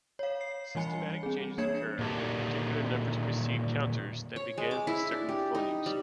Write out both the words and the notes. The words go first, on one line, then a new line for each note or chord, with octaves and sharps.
Systematic changes occur when particular numbers precede counters that begin with certain phonemes.
C#5 F5
C7
E3 G3 G#5 B5 C#7
C4 G#4
A#3 D4 C#5 G#6 C#7 E7
A#2 D3 D#3 F#4 G4 A5
C#5
G#3
D6
E4
D4
G4
D#4
G3